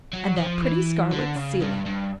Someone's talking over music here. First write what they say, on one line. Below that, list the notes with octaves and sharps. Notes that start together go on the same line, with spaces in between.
And that pretty scarlet ceiling.
F#3
F3
E3
D3
C#3
G2
G2